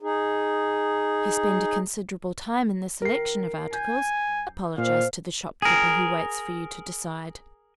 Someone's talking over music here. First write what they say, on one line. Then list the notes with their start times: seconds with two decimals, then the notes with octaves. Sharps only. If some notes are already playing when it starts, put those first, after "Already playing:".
If you spend a considerable time in the selection of articles, apologize to the shopkeeper who waits for you to decide.
0.02 D#4 G#4
3.02 D#3 F4 A#4 C7
3.74 G#5 G6
4.27 F#2
4.78 A#2 C4 A#4 C5 F5
5.62 G#4 A#4